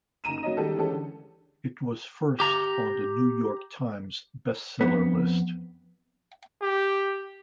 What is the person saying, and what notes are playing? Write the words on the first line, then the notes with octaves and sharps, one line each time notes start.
It was first on the "New York Times" Best Seller list.
F#1 D#4 A#5 D#7 E7
F#3 A#3 C#4 D#5
D#3 G3 G#3 G4 A4
E3 G#3 C#4 G4 A4
D3
G4 A#5
F2 B3
G4